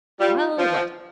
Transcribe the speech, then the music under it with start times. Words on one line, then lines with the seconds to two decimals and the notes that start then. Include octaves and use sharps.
"Well, what?"
0.20 G3 F4
0.58 F3 F4